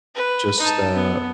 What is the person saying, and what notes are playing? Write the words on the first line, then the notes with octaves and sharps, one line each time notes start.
just, uh,
B4
D#4 A5
B3